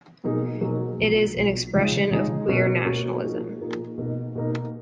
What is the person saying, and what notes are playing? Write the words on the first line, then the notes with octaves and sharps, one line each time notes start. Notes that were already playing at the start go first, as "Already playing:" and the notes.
It is an expression of queer nationalism.
B2 F#3 A#3 D#4 G#4
B2 F#3 A#3 D#4 G#4
B1 A#2 F#3
B1 A#2 F#3
C#3 F3 G#3 D#4 G#4
C#3 F3 G#3 D#4 G#4
B2 A#3 C#4 F#4
B2 A#3 C#4 F#4
A#2 F3 A#3 D#4 G#4
A#2 F3 A#3 D#4 G#4
B2 A#3 D#4
B2 A#3 D#4